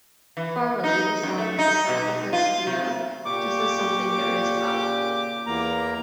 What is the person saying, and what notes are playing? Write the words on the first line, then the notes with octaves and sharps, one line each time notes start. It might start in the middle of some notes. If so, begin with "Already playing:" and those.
Formally this song is a passacaglia, just as "Something There Is About You".
E3
D#4
F#2
A3
D#4
B2
F4
C3
A#2 C#3 G4 C#6 D6
E2 A#3 A#5